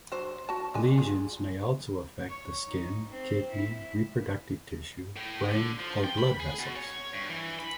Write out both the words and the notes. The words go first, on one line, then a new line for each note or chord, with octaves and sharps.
Lesions may also affect the skin, kidney, reproductive tissue, brain, or blood vessels.
F#3 D4 C5
F#4 A5
G#3 D4 G#5
F4 G#4
C#5
D#4
C4
E4
A2
D3
F3
G5
B5
G#4
B2
C#5
G2
E3
B5